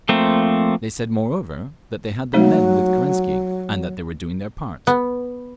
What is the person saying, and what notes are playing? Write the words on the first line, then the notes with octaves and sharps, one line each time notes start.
They said moreover that they had their men with Kerensky, and that they were doing their part....
F3 A3 A#3 C4
F#3 G#3 A3 D#4
B3